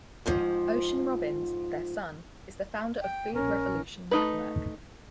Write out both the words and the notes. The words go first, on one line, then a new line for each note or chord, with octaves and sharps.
Ocean Robbins, their son, is the founder of Food Revolution Network.
F2 G#2 F3
G5
A#1 C#4 A#4
A3 D#4 B4